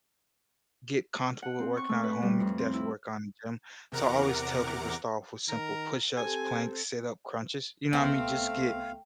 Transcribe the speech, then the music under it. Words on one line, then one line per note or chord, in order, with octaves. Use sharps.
get comfortable with working out at home, you could definitely work on the gym. So, I always tell people to start off with simple push-ups, planks, sit-up, crunches, you know what I mean? Just get
F#5
C4
C#6
A3
B4
G3
F2
C4
E4
E2 C3 A#4 F#5 A#5 D6
D#3 A#4
C4 G4 A4 G#5
C2 A3 B3 C4 F5 C6